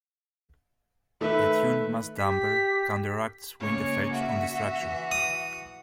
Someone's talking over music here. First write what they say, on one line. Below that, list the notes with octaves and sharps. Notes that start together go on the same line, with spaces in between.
A tuned mass damper counteracts wind effects on the structure.
D#3 A3 B4 E5
G4 B6
C#3 G#3 A#3 C#5
F#4 E5
E3
D#6